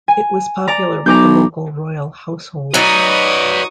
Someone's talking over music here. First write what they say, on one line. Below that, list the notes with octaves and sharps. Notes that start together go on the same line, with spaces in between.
It was popular with the local royal households.
G#5
D5 A#5
B1 A#5 D6 G6
F#3 D#4 B4 D5 C#6 D#6